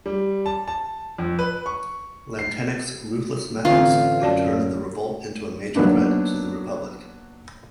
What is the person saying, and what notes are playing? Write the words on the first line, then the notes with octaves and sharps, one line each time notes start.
Lantenac's ruthless methods have turned the revolt into a major threat to the Republic.
G3
A5
A5
F2
B4
C#6
C7
A1 D3 A3 C4 F4
F#2 F#4 D5 A5
F#3 A#3 B3 D4 D#4